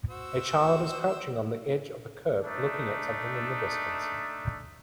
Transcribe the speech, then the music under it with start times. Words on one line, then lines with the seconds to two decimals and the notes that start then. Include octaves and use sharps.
A child is crouching on the edge of a curb looking at something in the distance.
0.09 F#4 C5 E6
2.44 A3 D4 D#4